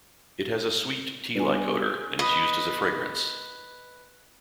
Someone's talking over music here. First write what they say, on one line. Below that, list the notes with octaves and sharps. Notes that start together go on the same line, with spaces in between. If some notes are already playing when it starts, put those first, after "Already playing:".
It has a sweet, tea-like odor and is used as a fragrance.
G3 B3 D4 B4 G#5
B4 D#5